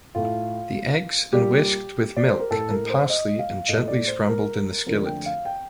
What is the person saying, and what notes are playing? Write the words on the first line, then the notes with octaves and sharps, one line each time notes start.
The eggs and whisked with milk and parsley and gently scrambled in the skillet.
A2 A3 F4
A#2 G3 A#3 G4
D5
C5
A#4
A2 A3 A4
A#4
C5
D#5
F5
A2 A3 D#5
D5
C5
A#4
F2 D3 A3 A#4
G5
F5
G5